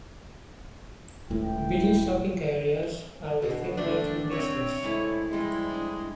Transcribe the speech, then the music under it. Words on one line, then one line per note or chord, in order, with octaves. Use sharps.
Busy shopping areas are within walking distance.
D#1 C#2 A2 E4 G5
B2 D3
A#2 D3 G3 A3 D4 D5
C4 E4 B4 C#5
C3 G#3 A3 E4
F3 G3 G#3 C4
D4